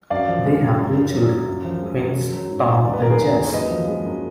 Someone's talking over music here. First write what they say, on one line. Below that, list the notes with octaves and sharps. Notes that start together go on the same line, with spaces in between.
They have two children, twins Tom and Jess.
F#2 D5 F5
F3
G#3
F#2
F#2
D3
F#3
F#2
F#2
F3
G#3
F#2
F#3
F#3
G#2
G#2
D#2 D5
B4
D#3 A#4
G#4 B4
F#3 A#4 D5
D#2
F#2 B4 D#5
F3
G#3
F#2